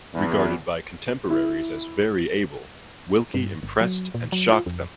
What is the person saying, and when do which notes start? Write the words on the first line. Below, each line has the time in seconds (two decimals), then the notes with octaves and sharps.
Regarded by contemporaries as very able, Wilkie impressed and shocked them.
0.14 E2
1.30 E4
3.34 G2
3.63 G1
3.81 F#3
4.14 A#2
4.32 F#3
4.52 F4
4.66 F2